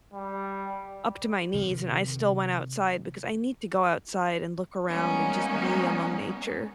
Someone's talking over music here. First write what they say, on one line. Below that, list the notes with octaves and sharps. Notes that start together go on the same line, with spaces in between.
up to my knees, and I still went outside because I need to go outside and look around and just be among nature.
G3
C3 D#3
G3 G#3 A#3 B3 C#4 D#4